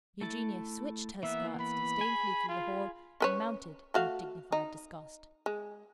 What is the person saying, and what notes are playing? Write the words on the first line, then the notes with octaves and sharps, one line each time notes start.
Eugenia switched her skirts disdainfully through the hall, and mounted in dignified disgust.
A3 E4 A5
E3 A#3 B3 E5
B5
G#4 G#5
F4
C#4 B4 C#5
A3 F#4 F5
D#4
G#3